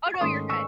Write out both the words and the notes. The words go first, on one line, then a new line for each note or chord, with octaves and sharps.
Oh no, you're good.
C#6
G#2 D#3 A3 C#4 C6 D#6
C#6 E6